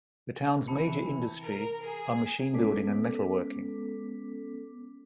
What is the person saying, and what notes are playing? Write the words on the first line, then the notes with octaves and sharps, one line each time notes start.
The town's major industry are machine building and metalworking.
C3 E3 A5 B5 C#7
A#4
G#4
G#3 B3 C#4 A4 D6 B6